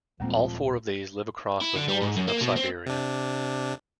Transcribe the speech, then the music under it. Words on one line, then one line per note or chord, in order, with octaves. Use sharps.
All four of these live across the north of Siberia.
D#1 F2 A#2 F3 G3 G#3 A#3 C4
E4
D3
G3
G#2
F#2
A#3
B2
C4
C3 D4